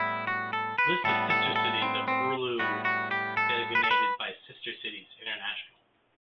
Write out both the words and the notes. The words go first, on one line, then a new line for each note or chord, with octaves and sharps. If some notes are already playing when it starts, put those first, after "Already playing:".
List of sister cities of Orlu, designated by Sister Cities International.
Already playing: A2 G3 B3 E4
F#4
A4
B4
A2 G3 B3 A4
A4
A4
C4
C4
A2 G3 B3 F#4
F#4
G4
A4
B4
A4
B4